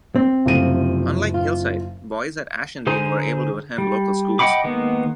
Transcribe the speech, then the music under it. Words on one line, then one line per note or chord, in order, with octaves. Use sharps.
Unlike Hillside, boys at Ashendene were able to attend local schools.
C4
F#1 C3 F3 A3 D#7
F4
D3 G#4 C5 G#5 A#5
G3
D#5 F#5 G5 B5 D6
D#3 G#3 A#3 B3